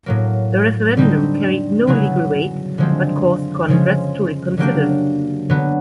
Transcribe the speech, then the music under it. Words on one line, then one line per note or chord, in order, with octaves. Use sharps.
The referendum carried no legal weight but caused Congress to reconsider.
A2 F#3 A#3
D3 G3 C4 D#4
C#3 F#3 B3 E4 G#4
D3 F3 G#3 C4
C#3 F3 G#3 C#4
D3 F#3 A#3 D4 G4
D3 F#3 B3